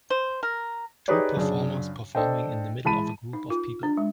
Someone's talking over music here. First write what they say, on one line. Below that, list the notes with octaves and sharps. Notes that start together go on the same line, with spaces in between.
Two performers performing in the middle of a group of people.
C5
A#4
D#4 G4 G#4 B4 C#5 D5
F#2 C#3 D4
D4 A4 C5 D#5 G5
E3 G#3 A5 B5 D#7
D#4
F4
D4
G#3